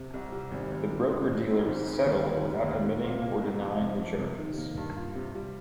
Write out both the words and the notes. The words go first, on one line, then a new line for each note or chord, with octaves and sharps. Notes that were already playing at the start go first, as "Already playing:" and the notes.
The broker-dealers settled without admitting or denying the charges.
Already playing: C3
C2
G3
G#1
G#1
G3
G#1
C4
G#1
G#2
G#1
D#2
D#2
F1
D#2
C2
A#2
A#3
C2
F2
C3
F2
C3
D#3
A#3
G2
F4
C3
G3